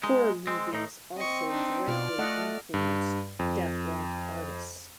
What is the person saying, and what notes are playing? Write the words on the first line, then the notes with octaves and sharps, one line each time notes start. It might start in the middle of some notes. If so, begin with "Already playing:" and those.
Horror movies also directly influenced deathrock artists.
G#3 D#4
G#3 C4
A2 D#4
C4 D#5 C#6
D4 D#4
B2 F4 D5 F6
A3 A4 D#5 F#5
G2
F2